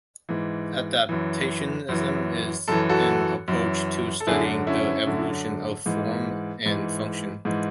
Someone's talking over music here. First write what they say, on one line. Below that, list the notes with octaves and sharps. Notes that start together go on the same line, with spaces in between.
Adaptationism is an approach to studying the evolution of form and function.
G#2 E3
F#2 E3
F#2 E3
F#2 E3 A4
F#4 A4
F#2 E3
A4
F#2 D3 E4 G#4
C#4 E4
F#2 D3
G#2 E3
G#2 E3
G#2 E3